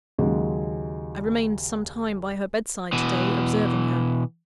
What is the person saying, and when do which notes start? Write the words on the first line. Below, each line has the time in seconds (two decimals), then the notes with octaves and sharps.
I remained some time by her bedside to-day, observing her.
0.19 D#2 C#3 F#3 G#3
2.93 B2 E3